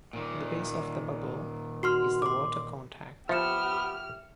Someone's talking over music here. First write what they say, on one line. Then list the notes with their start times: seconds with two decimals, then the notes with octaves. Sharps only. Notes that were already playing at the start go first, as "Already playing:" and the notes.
The base of the bubble is the water contact.
0.13 A#2 D#3
1.83 F#4 C6 F6
2.22 C6 D6
3.29 F3 B3 G4 E5 F6 C#7 E7